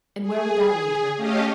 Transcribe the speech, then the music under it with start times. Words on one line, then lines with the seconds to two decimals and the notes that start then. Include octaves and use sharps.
And where would that lead her?
0.22 G#4
1.17 A3 C#4 G4 D#5 F5